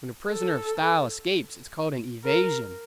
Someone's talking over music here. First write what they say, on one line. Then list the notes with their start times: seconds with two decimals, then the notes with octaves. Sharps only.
When a prisoner of style escapes it's called an evasion.
0.29 A4
2.24 A#4